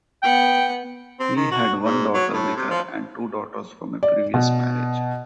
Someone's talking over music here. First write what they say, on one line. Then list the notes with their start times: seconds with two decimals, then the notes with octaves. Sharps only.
He had one daughter with her and two daughters from a previous marriage.
0.23 B3 F#5 G5
1.20 C4
1.36 D#3
1.51 F#4
1.85 G#2
2.14 F#3
2.33 A2
2.56 C3
2.71 F3
4.03 D5
4.34 B2